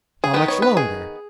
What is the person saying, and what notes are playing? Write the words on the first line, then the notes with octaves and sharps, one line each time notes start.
How much longer?
G#4
D#3 B3 D#4 B4
C#5
B4
G#4